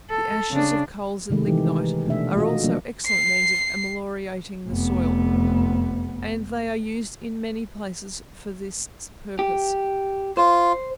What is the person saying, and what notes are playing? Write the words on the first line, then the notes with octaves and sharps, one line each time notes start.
The ashes of coals and lignite are also excellent means of ameliorating the soil, and they are used in many places for this purpose.
A4
C#3 D4
C3 D#3 G#3 A3
E3 D#4 G4
B2 A3 D4 E5
A3 F4 F#4 D#5
E3 F3 G3 A#3 D4
C7
F1 B3
G4
F4 C5